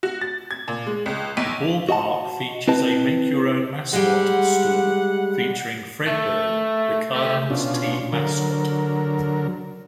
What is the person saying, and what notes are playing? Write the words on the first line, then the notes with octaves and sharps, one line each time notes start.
The ballpark features a make-your-own-mascot store featuring Fredbird, the Cardinals' team mascot.
F#4
A6
G#6
A#2
G#3
C#2
B1
F#4 D#5 F#5 A5
C4 E4 B4 D#5 A5
G3 G#3 F#5
A3
A3 G4
B2 C#4 D4 F4
D3 F#3 A#4